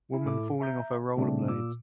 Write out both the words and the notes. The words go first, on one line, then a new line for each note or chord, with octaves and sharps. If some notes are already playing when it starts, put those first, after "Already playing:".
Woman falling off her rollerblades.
E4
A2 E4 A4 D6
E5 A#5 G6
A#2 C#3 G3 A3 C4 D4
A#2 D6 E6